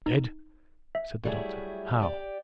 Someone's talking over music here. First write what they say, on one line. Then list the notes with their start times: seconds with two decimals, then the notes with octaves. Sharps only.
"Dead!" said the doctor, "how?"
0.06 D#4
0.95 E5
1.24 F#3 G3 A3 E4 G#4
2.02 G4 D5